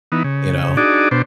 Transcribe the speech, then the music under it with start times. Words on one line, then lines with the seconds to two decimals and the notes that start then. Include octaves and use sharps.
you know?
0.12 E3 B3 D#4
0.24 C#3
0.77 D4 D#4 F#4 G#4 D5
1.11 B2 D4 C5